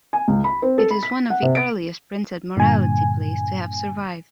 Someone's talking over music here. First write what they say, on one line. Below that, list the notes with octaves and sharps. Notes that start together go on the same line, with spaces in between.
It is one of the earliest printed morality plays to have survived.
G#5
C#2
B5
C4
A4
B5
B6
F#5
C3
D7
G2 A#2 D3 G#5